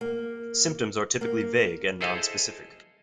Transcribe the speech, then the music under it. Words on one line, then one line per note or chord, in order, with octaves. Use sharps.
Symptoms are typically vague and non-specific.
A#3
A#3
E4 G#4 A4 C5 D#5 F5